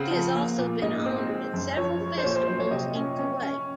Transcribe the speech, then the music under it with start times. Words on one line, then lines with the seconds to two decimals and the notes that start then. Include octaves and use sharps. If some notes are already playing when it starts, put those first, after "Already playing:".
She has also been honored at several festivals in Kuwait.
Already playing: C#3 C4 F#5
0.11 F3
0.35 A#3
0.58 A#2
0.82 G#2 D#5
1.06 C4
1.29 G#3
1.54 F#2
1.77 F3 C#5
2.00 G#3
2.18 C5
2.24 A#2 C#5
2.36 C5
2.48 F#3 C5
2.60 C#5
2.71 C3 D#5
2.95 C#4
3.19 C#4
3.42 C#4